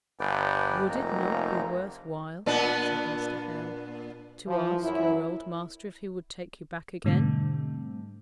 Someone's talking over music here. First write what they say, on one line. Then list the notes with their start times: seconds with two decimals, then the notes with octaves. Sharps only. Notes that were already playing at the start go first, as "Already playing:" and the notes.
'Would it not be worth while,' said Mr. Hale, 'to ask your old master if he would take you back again?
0.20 G1 B4 D5 G5
0.89 F1 A#3 D#4 A#5
2.46 A#2 B3 D4
4.47 E3 F3
4.83 F#2 E4
7.04 G#2 B2 D3 G3 A3 C4